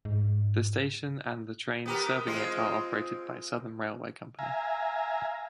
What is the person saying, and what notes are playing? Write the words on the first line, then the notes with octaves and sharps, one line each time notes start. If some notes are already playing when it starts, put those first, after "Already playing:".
The station and the trains serving it are operated by Southern railway company.
G#2
B3 G4 A#4
G#3 C4 F4
E5 F5 G#5 A#5